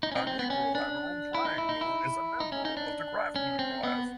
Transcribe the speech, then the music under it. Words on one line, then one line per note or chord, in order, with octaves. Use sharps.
An Equilateral Triangle is a member of the craftsman class.
D#4
C#4
C4
C4
B3
C#4
D4
E4
D#4
E4
D#4
E4
D#4
C#4
D#4
D4
C#4
C4
B3